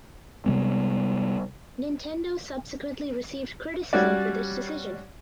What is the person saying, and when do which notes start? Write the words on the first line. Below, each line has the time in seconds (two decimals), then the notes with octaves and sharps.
Nintendo subsequently received criticism for this decision.
0.46 C3 G3 G#3 B3
3.93 G3 C#4 F#4 D5